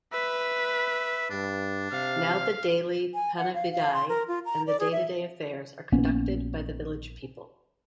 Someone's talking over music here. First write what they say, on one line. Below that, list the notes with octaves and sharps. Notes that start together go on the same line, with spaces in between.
Now the daily Panividai and the day-to-day affairs are conducted by the village people.
B4 E5
G2 D4
C3 F5
G#5
F#5
F5
F5
C6
A#4
F4
A#5
D5
G#4
E5
A#1 A#3 B3 C#4